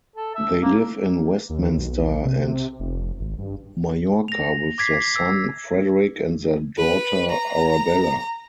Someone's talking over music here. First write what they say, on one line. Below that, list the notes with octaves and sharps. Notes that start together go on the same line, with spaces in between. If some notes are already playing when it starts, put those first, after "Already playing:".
They live in Westminster and Mallorca with their son, Frederick and their daughter, Arabella.
A4
E5
A#3
D#2
B1
C3
F1
G#1
G2
A#6 F7
D6 G#6 B6 C7
E6 G#6
B4
A#5